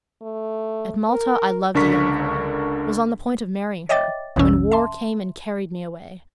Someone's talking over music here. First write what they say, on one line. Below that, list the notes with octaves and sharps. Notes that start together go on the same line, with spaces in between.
At Malta, I loved a young girl, was on the point of marrying her, when war came and carried me away.
A3
A#4
C#2 D3 D4 A#4 C#6 B6
C#5 D#5 E5 G5 D6 A6
A1 E2 B2 E3 C#4 E6
E5 A5 C6